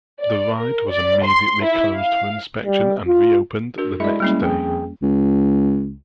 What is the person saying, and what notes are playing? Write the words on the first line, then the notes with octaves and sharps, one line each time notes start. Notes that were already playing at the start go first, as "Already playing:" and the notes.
The ride was immediately closed for inspection and reopened the next day.
D5
A#4
D5
C6
E4
F5
G3
F4
D4 F#4 A#4
G#3 E4 D5 E5
G3 A#3 C#4
F2 G#4 G5
C#2